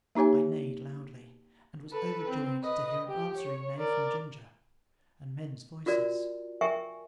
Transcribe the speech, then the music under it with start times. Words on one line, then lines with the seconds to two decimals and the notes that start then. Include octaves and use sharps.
I neighed loudly, and was overjoyed to hear an answering neigh from Ginger, and men's voices.
0.15 A#3 D#4 G4 C#5 G#5
1.91 A4 B4
2.29 C4
2.63 B4 D#5
3.07 G4 G5
3.37 C#5
3.78 A#4 D5
5.86 F4 F#4 A#4 D5
6.61 A#4 E5 G5 G#5 C#6